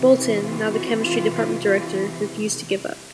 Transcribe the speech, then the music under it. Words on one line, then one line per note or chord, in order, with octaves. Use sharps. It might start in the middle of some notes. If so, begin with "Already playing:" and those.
Bolton, now the Chemistry department director, refused to give up.
Already playing: C3 E3
C4
F4
F#4
F4
F4
F4